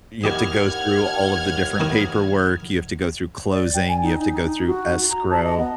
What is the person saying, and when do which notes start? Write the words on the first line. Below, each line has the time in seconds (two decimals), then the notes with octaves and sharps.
You have to go through all of the different paperwork, you have to go through closing, you have to go through escrow
0.24 D#2 E4 G4 D#5 F#5 F6 G#6
1.80 D#3 E4 D#6
3.52 D5
3.74 G5
3.88 G#5
4.02 D#4
4.19 D#4
4.45 D#4
4.67 F#4
5.10 A#5
5.30 A5
5.43 D#5
5.58 B3